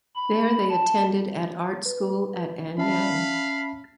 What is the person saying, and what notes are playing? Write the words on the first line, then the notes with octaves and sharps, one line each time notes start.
There, they attended at Art school at Anyang.
B5
A5
B4
C#4 E5 F5 A5 B5